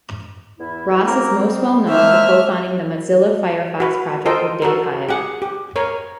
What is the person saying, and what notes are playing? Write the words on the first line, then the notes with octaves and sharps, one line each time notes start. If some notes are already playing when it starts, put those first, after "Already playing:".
Ross is most well known for co-founding the Mozilla Firefox project with Dave Hyatt.
E2 E4
A#3 C4 A#4
B3
F3 G#3 A#3 C5 E5 E6 F6
F#4 B4
F4 A4 A#4 C5 D#5 G5
F#4 A4 A#4
G4 G#4 F#5
G4
A#4 C#5